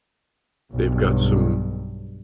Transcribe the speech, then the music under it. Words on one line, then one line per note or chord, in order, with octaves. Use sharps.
they've got some
B1 G2